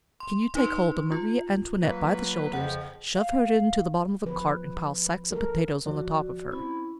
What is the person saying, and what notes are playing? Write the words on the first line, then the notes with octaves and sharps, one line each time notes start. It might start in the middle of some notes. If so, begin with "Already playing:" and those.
Can you take hold of Marie Antoinette by the shoulders, shove her into the bottom of a cart and pile sacks of potatoes on the top of her?
C6
D#4 B4 C6
F4
F#3 A#3 B4
F2 C#3 F3 F#5
F5
F3 B4
A4 A#4
D#2 F3 F#4 D5
C4 C#4 E4 B5